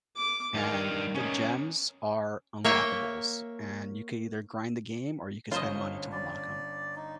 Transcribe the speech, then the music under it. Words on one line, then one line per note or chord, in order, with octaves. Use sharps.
and the gems are unlockables, and you can either grind the game or you can spend money to unlock 'em,
D6
G2 D#3 F5
C#4 D#4
A#3 C#5 E5 G5
G1 C#4 F4 C5 D#5 G7
D5
D#4